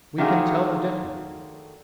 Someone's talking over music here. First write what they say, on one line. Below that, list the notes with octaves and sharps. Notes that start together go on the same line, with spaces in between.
We can tell the difference.
D#3 A3 D4 F4 F#4 G#4